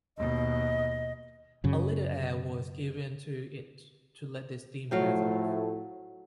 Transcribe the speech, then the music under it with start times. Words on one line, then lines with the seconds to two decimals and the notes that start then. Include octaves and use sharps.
A little air was given to it to let the steam pass off.
0.18 D#2 B2 D#5
1.64 F#2 C#3
4.91 A2 F3 F#3 A3 F5 G5